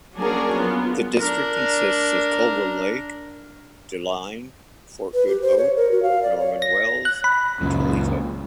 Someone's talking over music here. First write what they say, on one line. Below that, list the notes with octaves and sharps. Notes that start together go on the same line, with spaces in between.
The district consists of Colville Lake, Deline, Fort Good Hope, Norman Wells and Tulita.
F#3 A#3 C#4 D4 G#4 A#4
B3 F4
D4 A#4
B4
G4
C5
C#5
A#4
F#4
F5
D5
C#5
A#6
F#6
B5
C#2 F#2 A#2